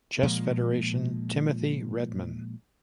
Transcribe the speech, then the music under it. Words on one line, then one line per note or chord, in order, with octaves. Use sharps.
Chess Federation, Timothy Redman.
A#2 F3 G#3